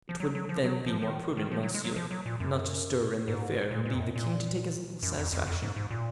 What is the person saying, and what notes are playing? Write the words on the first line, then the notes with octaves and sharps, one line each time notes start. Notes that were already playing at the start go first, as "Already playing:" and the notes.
"It would then be more prudent, monsieur, not to stir in the affair, and leave the king to take this little satisfaction."
F3
F#3
F#3
F3
F#3
F3
F3
D#3
D#3
F3
F#3
G#3
F#3
F3
F#3
A#2
F#2
G#2
A#2
A#2
F2
F#2
A#2
F#2
F2
F2
F2
G#2
G#2
A#2